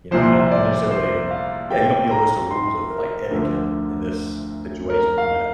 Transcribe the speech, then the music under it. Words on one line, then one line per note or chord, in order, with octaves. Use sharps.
you know? Not not necessarily, um yeah, you don't need a list of rules of, like, etiquette in this situation than that.
C2 A#2 F3 C5
D5
C5
F5
G5
A#5
C6
A#4
D2 D3 F3
A#4
F5